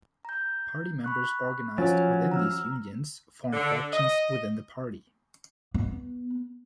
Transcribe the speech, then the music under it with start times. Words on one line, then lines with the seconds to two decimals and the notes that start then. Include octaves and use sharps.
Party members organized within these unions form factions within the party.
0.25 A#5 G6
1.04 B5 C#6 F#6
1.78 F3 F#3 C#4 C#5 G#5 A6
2.31 A#5 E6 F6
3.53 D3
3.92 D#5
5.74 B3